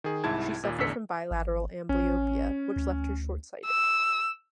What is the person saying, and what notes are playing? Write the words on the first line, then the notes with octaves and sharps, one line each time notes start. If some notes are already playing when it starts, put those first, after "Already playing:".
She suffered from bilateral amblyopia, which left her short-sighted.
D#3 G#4
C2 G#2 E4 A5 G#6
D#2 A#2
A1 E2 D3 E6 B6 C#7
G#1
A1 C#4
D2
E6